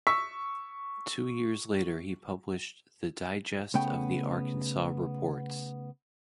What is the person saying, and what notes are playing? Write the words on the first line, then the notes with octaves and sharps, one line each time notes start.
Two years later he published the "Digest of the Arkansas Reports".
C#6 E6 B6
C#3 A3 B3 G5